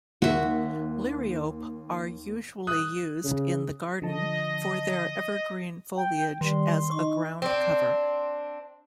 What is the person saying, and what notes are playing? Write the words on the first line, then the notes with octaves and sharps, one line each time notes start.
"Liriope" are usually used in the garden for their evergreen foliage as a groundcover.
D#2 F#4 E5
D#6 F#6
C#3
D3 F3 D#5 A5
G5
D#3 G3 C6
D#4 C#6
C4 D4